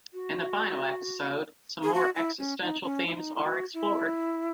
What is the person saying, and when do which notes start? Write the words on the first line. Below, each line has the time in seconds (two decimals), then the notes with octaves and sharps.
In the final episode, some more existential themes are explored.
0.13 F#4
1.83 G#4
1.94 F#4
2.16 E4
2.39 C#4
2.62 D#4
2.84 C#4
3.07 E4
3.14 D#4
3.36 E4
3.44 F#4
3.74 E4